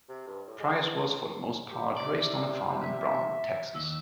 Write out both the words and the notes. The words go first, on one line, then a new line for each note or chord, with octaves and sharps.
Price was for the most part raised on a farm in Brownwood, Texas.
C3
G2
A2
G#3
B3
G4
C3 D5
E5
D#2 E6